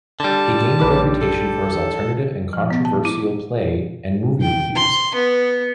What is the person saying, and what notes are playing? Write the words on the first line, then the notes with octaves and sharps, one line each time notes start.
He gained a reputation for his alternative and controversial play and movie reviews.
D3 G3 A5
A#1 B4 D6
A4
F3
B3
A5
E4
G5
C6
B3